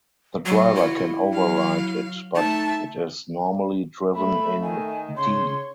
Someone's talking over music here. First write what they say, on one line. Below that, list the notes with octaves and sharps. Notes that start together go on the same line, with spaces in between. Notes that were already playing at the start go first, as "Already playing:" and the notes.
The driver can override it but it is normally driven in "D".
F#3 F4 F#4
E4
F#3 F5
A3 D#4 E5 A5
A3 E5 B5
D#3 G#5
C#3 C#5 C6